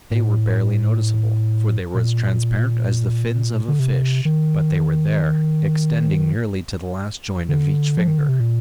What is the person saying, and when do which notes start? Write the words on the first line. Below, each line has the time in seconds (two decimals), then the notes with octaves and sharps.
They were barely noticeable, for they were as transparent as the fins of a fish, but they were there, extending nearly to the last joint of each finger.
0.11 A2
1.95 A#2
3.68 D3
3.80 C3
4.25 D#3
7.49 D3
7.97 F3
8.08 D#3
8.18 D3
8.29 C3
8.40 A#2